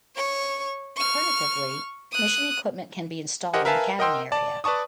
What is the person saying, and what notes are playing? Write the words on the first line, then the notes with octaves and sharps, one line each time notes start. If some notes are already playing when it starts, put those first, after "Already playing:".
Alternatively, mission equipment can be installed in the cabin area.
C#5 C#6
C#6 F6
D#6 F#6
G4 A#4 C5 D#5 F#5 G#5
A#4 B4 E5 F5 G#5 A5
A#4 D#5 F#5 G5 C6 E6
D5 A5
B4 D5 A5 C#6 D#6